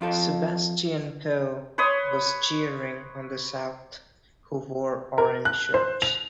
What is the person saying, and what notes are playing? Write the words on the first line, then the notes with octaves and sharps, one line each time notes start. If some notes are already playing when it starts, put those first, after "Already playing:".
Sebastion Coe was cheering on the South, who wore Orange shirts.
F2 F4 A4 G5
B4 C#5 C6 D#6
A#4
F#6
C5
F7